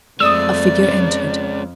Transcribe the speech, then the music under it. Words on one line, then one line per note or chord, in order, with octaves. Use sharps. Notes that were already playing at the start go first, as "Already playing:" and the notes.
A figure entered.
F2 G#3 A3 D5 D#6 E6
G#3 C#4